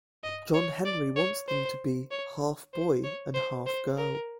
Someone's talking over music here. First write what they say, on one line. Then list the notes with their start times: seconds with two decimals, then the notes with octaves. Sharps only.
John Henry wants them to be "half boy and half girl".
0.24 D#5
0.54 C#5
0.85 D5
1.16 C#5
1.48 C5
2.11 C#5
2.73 C5
3.04 C#5
3.35 C5
3.66 C5
3.98 A#4